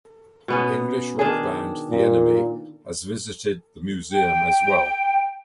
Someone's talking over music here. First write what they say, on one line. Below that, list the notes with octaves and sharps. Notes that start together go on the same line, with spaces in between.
English rock band The Enemy has visited the museum as well.
B2 B3 C#4
D#3 D4 G#4
A#2
G5